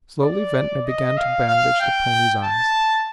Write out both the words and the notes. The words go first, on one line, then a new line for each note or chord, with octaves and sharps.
Slowly Ventnor began to bandage the pony's eyes.
D5
D#5
F5
F5
G5
A5